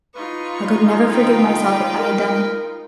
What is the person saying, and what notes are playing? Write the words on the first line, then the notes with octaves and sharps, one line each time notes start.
I could never forgive myself if I had done it.
D#4 F4 B4 C#6
D3 B4 G5
A#4